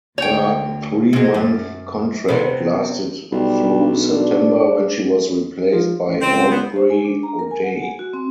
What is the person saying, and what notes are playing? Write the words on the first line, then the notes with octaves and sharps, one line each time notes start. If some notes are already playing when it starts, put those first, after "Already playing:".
Her three-month contract lasted through September, when she was replaced by Aubrey O'Day.
D2 C#5 G5
C3 G#3
F#2
C3 B3
B1 G3
D4
F3
A1
C#2 C4
B3
C5
G#5
D4
A#5
A#4
G#5
F#5
G#5
F#4
C4